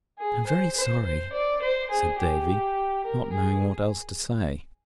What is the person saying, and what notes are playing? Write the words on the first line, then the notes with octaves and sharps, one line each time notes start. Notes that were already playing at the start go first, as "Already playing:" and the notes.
"I'm very sorry," said Davy, not knowing what else to say.
G#4
C5
C5
C5
D5
C5
G#4
G4
A#4
G#4